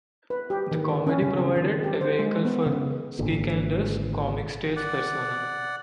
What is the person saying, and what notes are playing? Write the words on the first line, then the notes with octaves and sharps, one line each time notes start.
The comedy provided a vehicle for Schikaneder's comic stage persona.
B4
G4
D#3
C#4
C#3
C4
D#3
G4
C5
G#3
B3
C#3
G#1 A#2 D3
D5 F#5